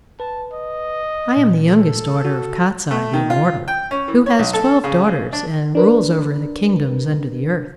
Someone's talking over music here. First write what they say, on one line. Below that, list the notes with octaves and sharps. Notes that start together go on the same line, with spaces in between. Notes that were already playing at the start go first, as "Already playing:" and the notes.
I am the youngest daughter of Kostiei the immortal, who has twelve daughters and rules over the kingdoms under the earth.
B4 A5
D#5
A#2
A4
F#4
A3
D#3
F4
G5
C#4
E3
C#5
B1
A4
C#3
D4
D4 A#4 B4